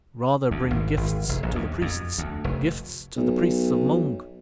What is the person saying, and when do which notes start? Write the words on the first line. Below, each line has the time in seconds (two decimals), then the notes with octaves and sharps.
Rather bring gifts to the Priests, gifts to the Priests of Mung.
0.51 D2
0.71 G#1
0.97 G#1
1.29 F1
1.43 A#1
1.55 D#2
1.82 F2
2.18 D2
2.44 F1
3.16 B1